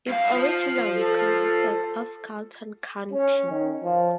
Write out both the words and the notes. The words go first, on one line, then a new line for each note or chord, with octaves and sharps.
It originally consisted of Carleton County.
G2 F5
F4 C5
A4
C#4
D#3
F3